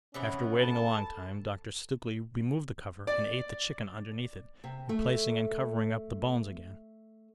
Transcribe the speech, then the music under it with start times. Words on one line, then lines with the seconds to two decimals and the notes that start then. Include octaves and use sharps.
After waiting a long time, Dr. Stukely removed the cover and ate the chicken underneath it, replacing and covering up the bones again.
0.14 C3 E3 B3 C#4
0.62 A4 A5
3.07 D5
4.64 C3
4.89 A3